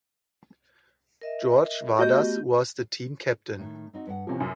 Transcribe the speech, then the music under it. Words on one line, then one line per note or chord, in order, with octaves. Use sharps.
George Vadas was the team captain.
A#4 D#5 E5
A3 B3 F#4 G4 D#5 G6
A2 D#3
C4 D#4 F#4
G2 B4 F#5
E2 C3 F3 A#3 C#4
F#2